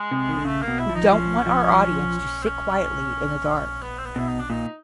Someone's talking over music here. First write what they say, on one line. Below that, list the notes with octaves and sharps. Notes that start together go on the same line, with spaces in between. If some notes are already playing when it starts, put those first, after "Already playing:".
We don’t want our audience to sit quietly in the dark.
Already playing: G#3
C3
D#3
D3
C#3 A3
A#3
B2
E4
F3
D#4
F3 C#4
F3
C4
C#4
B3
C4
B3
B2 E4
D#4
D4
A#2 D#4